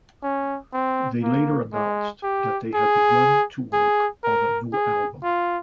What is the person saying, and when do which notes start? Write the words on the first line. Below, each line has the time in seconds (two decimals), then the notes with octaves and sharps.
They later announced that they had begun to work on a new album.
0.23 C#4
0.73 C4
1.23 A#3
1.73 G#3
2.23 G4
2.74 G#4
3.73 G#4
4.24 A#4
4.73 G#4
5.23 F4